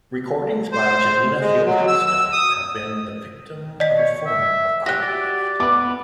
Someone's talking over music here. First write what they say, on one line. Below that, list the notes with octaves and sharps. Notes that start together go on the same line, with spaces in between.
Recordings by Janina Fialkowska have been the victim of a form of art theft.
C5
G#3
F#3
E6
E6
D#6
D5 D#5 B6
C#5
E5
F#4 G4 E5 F#6 A#6
D5
B3 B4 D6